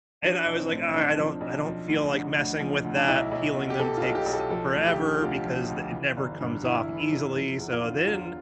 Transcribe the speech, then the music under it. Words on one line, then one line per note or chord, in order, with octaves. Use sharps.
And I was like, "Uh, I don't I don't feel like messing with that," peeling them takes forever because th it never comes off easily. So then,
F3 D4
B1
C4
A2
B1 D4
F3
B1
F3
D2
D3
D2
F3
D2
D4
B1 E4
B1
B2
G4
B2 A4
F4
B1
G4
B1
A4
F3 A4
D2
G4
D3
D2 F4
F3
D2
E3
G1
G2
G1 E4
E3
E4
G1
F3 E4
E2
F4
D3
E2 F4